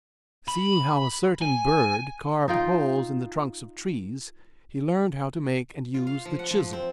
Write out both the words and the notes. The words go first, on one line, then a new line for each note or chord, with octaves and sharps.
Seeing how a certain bird carved holes in the trunks of trees, he learned how to make and use the chisel.
B5
G#5
D#4 F4 G5
F4
F5
F3
F#5
F3
C4